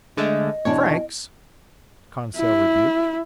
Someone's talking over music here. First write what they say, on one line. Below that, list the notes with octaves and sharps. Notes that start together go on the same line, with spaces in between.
"Francs!" Conseil rebuked.
D3 G#3 A3 D#5
E2 B2 D4 C#5
E4